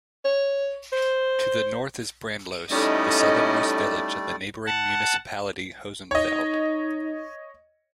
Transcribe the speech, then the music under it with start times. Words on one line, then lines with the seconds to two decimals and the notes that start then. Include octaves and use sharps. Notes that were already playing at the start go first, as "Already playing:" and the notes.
To the north is Brandlos, the southernmost village of the neighboring municipality Hosenfeld.
0.25 C#5
0.92 C5
2.71 G3 A3 C#4 D#4 E4 A4 D5 D#5
4.66 F#5 A5
6.11 D#4 C#5 D#5